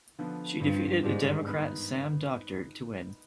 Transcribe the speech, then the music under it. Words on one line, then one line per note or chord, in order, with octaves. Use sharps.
She defeated Democrat Sam Doctor to win.
D3 F3 B3
G2 G3 C4 F4
G#2 D#3 G#3 D4 G4 C5
D#3 B3 D#4 B4